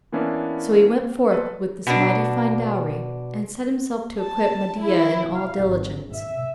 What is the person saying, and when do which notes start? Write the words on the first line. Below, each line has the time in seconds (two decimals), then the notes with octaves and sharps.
So he went forth with this mighty fine dowry and set himself to equip Mahdiyah in all diligence.
0.12 E3 A#3 B3 C#4 D4 E4
1.32 A4 B4 C5
1.87 B2 D4
4.19 A5
4.79 E4
5.33 F5
5.64 G#1
6.14 E5